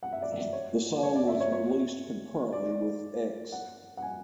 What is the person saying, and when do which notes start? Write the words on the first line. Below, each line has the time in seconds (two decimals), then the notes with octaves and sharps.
The song was released concurrently with "X".
0.03 F#5
0.13 E5
0.22 D5
0.32 E5
0.53 C#5
0.95 D5
1.03 C#5
1.15 D5
1.28 E5
1.40 C#5
1.52 C#5
2.53 D5
3.52 F#5
3.97 F#5
4.02 G#5